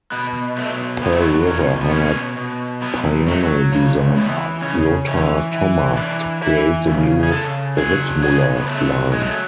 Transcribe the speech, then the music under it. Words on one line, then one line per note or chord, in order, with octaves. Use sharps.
Pearl River hired piano designer Lothar Thomma to create the new Ritmuller line.
B2 B3
F#3 A3
F#3 B3
A3
B3
B2 C#4
B3
B2 C#4
B2
F#3 B3
F#3 A3
C#3
E3 B3
C#3 C#4
E3 C#4
E3
E3 D4
E3 E4
C#3
G#4
C#3 A4
F#3 G#4
C#3 G#4
B3
F#3 A3
F#3 G#3
A3